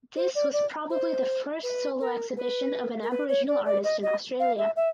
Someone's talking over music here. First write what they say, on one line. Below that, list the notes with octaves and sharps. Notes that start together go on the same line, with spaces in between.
This was probably the first solo exhibition of an Aboriginal artist in Australia.
C5
D5
D5
C5
B4
A#4
B4
A#4
B4
C#5
D5
D5
D#5
D#5
F5
E5
E5